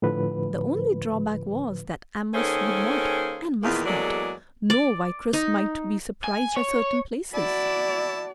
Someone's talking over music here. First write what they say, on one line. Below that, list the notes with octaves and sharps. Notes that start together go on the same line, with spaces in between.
The only drawback was that Amos would not, and must not, know why Chris might be surprised at certain places.
A2 D3 F3 B4
D#3 A#3 C#4 G#4 A4 C5
E2 A#2 D#3 E3 A#3
E2 F#3 G#3 A#3 A4 D5
D5
D#4
G#5
C#5
E4 F#4 D5 A5 B5